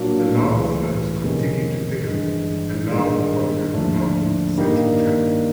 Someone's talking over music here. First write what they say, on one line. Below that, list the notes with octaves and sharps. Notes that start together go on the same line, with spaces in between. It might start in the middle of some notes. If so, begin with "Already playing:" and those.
The lava flows continued to thicken, and lava ponded along the central channel.
Already playing: A#2 F#3 A#3 D4 F#4
C#2 C#3 E3 A3
F2 C3 D#3 G#3 C#4
G1 G2 E3 G#3
G2 D#3 G#3
D#2 D3 F3 A3 D4
G2 D#3 G3 A#3 D#4